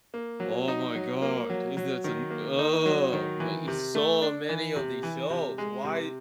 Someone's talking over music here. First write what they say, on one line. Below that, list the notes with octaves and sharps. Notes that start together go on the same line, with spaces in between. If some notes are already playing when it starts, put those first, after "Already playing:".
Oh my god. Is that an ugh, my it's so many of these shows, why
A#3
F#3
D#4
F#3
A#3
F#3
F#3
D#3
A#3
D#4
F#3
D#3
E3
C3
A3
D4
E3
C3
E3
C3
G#3
C3